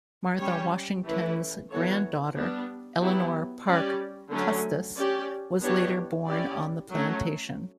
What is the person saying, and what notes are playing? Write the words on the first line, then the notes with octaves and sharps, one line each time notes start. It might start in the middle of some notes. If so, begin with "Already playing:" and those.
Martha Washington's granddaughter Eleanor Parke Custis was later born on the plantation.
G3 C#4 G4 C#5
E3 A3 C#4 E4 B4
E3 B3 F#4 A4 C#5
G3 B3 D4
F#3 B3 E4 G4
G3 C#4 G4 D5
D3 F#3 A3 C#4
C#4 G4 D5
E3 B3 D4 G4 C#5
C#4 E4 G4 D5
F#3 A3 C#4